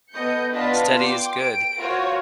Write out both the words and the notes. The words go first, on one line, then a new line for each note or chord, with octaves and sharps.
Steady is good.
B3 A4 D#5 G6 C#7
B3 D4 F4 D#5 A5 B6
G5 C6 D6
G5 D7
F4 F#4 A#4 C5 C#5